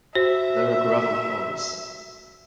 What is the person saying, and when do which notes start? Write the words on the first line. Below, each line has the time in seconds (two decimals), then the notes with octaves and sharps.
There are gravel quarries.
0.15 F#4 C5 E5